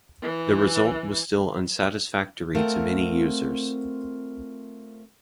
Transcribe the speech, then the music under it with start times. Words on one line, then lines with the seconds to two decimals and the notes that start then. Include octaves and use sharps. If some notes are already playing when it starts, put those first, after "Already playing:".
The result was still unsatisfactory to many users.
0.22 E3
2.55 A3 C4 F4 A#4 F#5